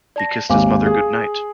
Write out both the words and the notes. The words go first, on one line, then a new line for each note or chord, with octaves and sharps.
He kissed his mother good-night.
D5 A5 A#6
G#1 D#2 F5 G#5 D6
G#4